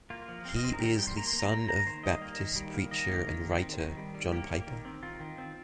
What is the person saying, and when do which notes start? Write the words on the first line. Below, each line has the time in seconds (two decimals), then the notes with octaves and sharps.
He is the son of Baptist preacher and writer John Piper.
0.10 A#3 F4
0.28 F3
0.45 C4 F5
0.56 D#5
0.63 C4 C5
0.73 A#4
0.80 D#3 G4
0.98 G3 G5
1.07 C6
1.16 A#3 A#5
1.27 C6
1.33 A#3
1.39 A#5
1.51 A#3 A#5
1.68 A#3 A#5
1.86 D#3 C5
2.03 G3 D#5
2.22 A#3
2.39 D#3
2.56 G3
2.74 A#3
2.91 D#3 D#5
3.09 A#3
3.26 D#3
3.45 D#3
3.62 C4
3.79 D#3
3.97 G3
4.15 G3
4.32 A#3 G4
4.50 A#3
4.67 D#3
4.85 C4
5.03 D#3 F4
5.20 D#3
5.38 C4